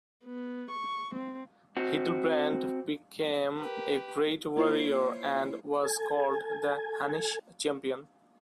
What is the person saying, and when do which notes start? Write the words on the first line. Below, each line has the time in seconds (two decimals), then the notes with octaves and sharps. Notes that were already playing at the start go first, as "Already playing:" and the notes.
Hildebrand became a great warrior and was called the Hunnish champion.
0.25 B3
0.71 C#6
1.15 C4
1.77 C4 F#4
3.57 G4 A#4 B4
4.56 A#3 E4 F4 C5 C#5 C7
5.83 A4 G#5